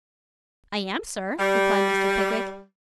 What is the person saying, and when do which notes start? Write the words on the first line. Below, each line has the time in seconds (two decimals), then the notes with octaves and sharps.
'I am, sir,' replied Mr. Pickwick.
1.39 G3